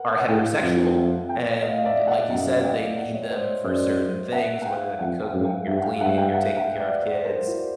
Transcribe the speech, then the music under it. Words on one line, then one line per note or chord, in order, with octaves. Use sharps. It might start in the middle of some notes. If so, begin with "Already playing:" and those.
are heterosexual, and like you said, they need them for certain things, whether that be cooking or cleaning or taking care of kids.
Already playing: A#4 B4 F#5
F#5
A2 F5 G5
F2
E5 F#5
F5 G5
D#5 F5
F5
D5 E5
E5 F#5
F#2 E5 F#5
F5 G5
E5 F#5
C#5 D#5
C5 D5
F#2 C5 D5
E5 F#5
F#5
F5 G5
F2 E5 F#5
E5 F#5
F#2
F5 G5
G2 E5 F#5
F#5
F5 G5
G2 E5 F#5
F5 G5
E5 F#5
E5 F#5
D5 E5
C5 D5
A#4 C5
E4 F#4